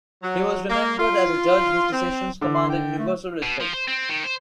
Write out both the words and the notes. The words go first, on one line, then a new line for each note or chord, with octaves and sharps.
He was remembered as a judge whose decisions commanded universal respect.
F#3
A#3
F4
C4
D3 D6
C6
G5
A3
B2
F3
C5
C4
D#3
C5